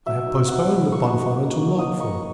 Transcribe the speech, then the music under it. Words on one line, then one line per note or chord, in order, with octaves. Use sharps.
I have postponed the bonfire until nightfall.
F#3 E5
D#4
B3 F#5
F#3
A#3 C#6
D#4
A#3
A#3
D#4 D#6
D#4 C#6